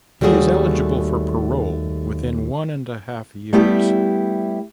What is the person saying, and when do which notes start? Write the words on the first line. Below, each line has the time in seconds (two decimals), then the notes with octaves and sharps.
He is eligible for parole within one and a half years.
0.21 D#2 G3 A3 F#4 G#4
3.53 G3 A3 B3 E4 G4